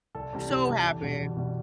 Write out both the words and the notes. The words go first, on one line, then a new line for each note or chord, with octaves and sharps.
So happy.
C2 A4
C3 E3 G3
C2 G4
C3 E3 G3 A4
E2
B2 G3
E2
B2 G3